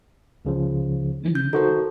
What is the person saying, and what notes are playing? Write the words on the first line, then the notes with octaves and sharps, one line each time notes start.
Mhm mm.
C#2 C#3 F3
G6
D#4 F#4 A4 A#4 C5